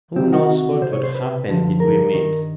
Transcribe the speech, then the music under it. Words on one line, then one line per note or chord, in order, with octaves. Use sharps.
Who knows what would happen did we meet.
C2 C3 D#3 C4
F#4
F#4
C2 C3 C5
C#5
C5
B4
F#2 D3 F3
A#4
G2 D#3